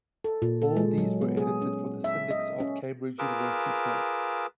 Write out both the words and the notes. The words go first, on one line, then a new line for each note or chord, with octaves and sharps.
All these were edited for the syndics of the Cambridge University Press.
A4
A#2
A4
G#3
F#3
B3
G#4
C#4
E5
D#5
C#4
F4 G#4 A#4 B4 D6 E6